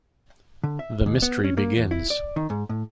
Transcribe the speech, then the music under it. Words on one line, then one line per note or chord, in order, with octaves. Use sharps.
The Mystery Begins.
D3
E5
D#2
B3
C#4
A#3
E2
E4
D5
D#3
G#2
A2